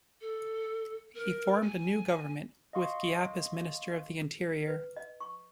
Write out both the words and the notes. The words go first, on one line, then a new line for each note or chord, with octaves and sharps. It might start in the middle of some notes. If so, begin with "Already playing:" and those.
He formed a new government, with Giap as Minister of the Interior.
A4
A#4
G#5
D#5 F5 C6 C#6
B4
D#5
C#6